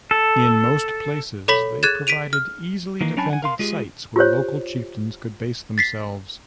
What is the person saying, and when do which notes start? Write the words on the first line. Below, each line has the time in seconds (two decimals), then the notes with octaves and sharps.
In most places they provided easily defended sites where local chieftains could base themselves.
0.11 A4
1.48 A4 C#5 B5 B6 F#7
1.83 G#4 F#6 G#6 A6 E7
2.07 B6 D7 D#7 F7
2.33 F6
3.01 D#3 E3 A#3
3.17 F#3 C#4 D4 G#5 A5 B5
3.30 F#5 G#5
3.42 A#4 F5 C6
3.59 G#3 F4 G4 G#4
4.16 F4 G4 C5 C#5
5.78 A6 B6 C7